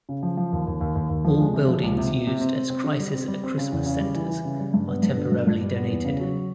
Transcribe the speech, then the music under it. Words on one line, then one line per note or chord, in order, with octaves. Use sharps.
All buildings used as Crisis at Christmas Centres are temporarily donated.
C#3
F3
F3
D#2
D#2
D#2
D#2
D#2
F3
G#3
C3
F3
C#2
C3
C3
C3
C4
C4
C4
D3
G3
C4
G3
C4
C#3
E2
C#3
G3
E3
E3
C#3
G3
G2
B3
G2
D3
G2
G2
G3
B3
E2
C#3
F#3